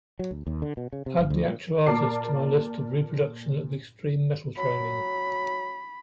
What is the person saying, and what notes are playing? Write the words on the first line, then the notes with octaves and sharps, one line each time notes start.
Ad the actual artist to my list of reproduction of extreme metal training.
F#3
D2
D#2
D3
B2
C#3
C3
G1
D2
A#2
A#2 A#4 D5 A5 D6 C7
F#3 B5